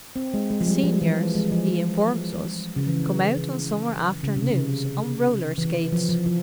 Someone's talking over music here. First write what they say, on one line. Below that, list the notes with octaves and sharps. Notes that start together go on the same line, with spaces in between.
The seniors, he informs us, come out on summer afternoons on roller skates.
C4
G#3
G#3
F3
G3
F3
E3
G#3
F3
C#3
E3
C#3
C3
C#3
E3
F3
F3
F3